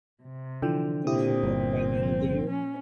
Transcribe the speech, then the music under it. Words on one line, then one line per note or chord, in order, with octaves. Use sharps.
finish a book by the end of the year
C3
D3 E3 F3 G5
A#2 C4 E4 G4 D#6
G1
F3
C#4